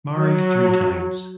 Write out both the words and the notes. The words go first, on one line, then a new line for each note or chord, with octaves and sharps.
Married three times.
F#3